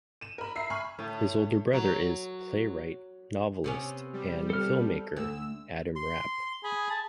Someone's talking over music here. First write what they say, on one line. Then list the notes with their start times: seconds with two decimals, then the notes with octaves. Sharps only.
His older brother is playwright, novelist, and filmmaker Adam Rapp.
0.21 D#7 E7
0.38 A#4 B5
0.56 E5 A#5 C7
0.70 G#5 B5 C#6 F6
0.99 A2
1.73 F#3
3.64 C3 B3 C#4
4.13 G3
4.50 A4 F6
5.16 D2 E6
5.96 C6
6.64 G#4 B5
6.90 A5